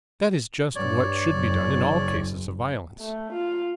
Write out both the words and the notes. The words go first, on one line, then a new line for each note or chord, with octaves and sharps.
That is just what should be done in all cases of violence.
G2 C#5 D5
F#1
A3
F4